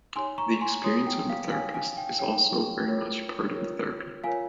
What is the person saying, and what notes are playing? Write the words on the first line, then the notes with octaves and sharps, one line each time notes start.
The experience of the therapist is also very much part of the therapy.
D#4 G4 C#5 G#5 C6
A#5 C#6
G#5 C6
D#4 G4 C#5 C6 D#6
G5
F5
D#4 G4 C#5 F5 G#5
F5 G#5
G5
D#4 G4 C#5 G5
F4 A#4 C#5
F4 A#4 C#5
F4 A#4 C#5 F5 G#5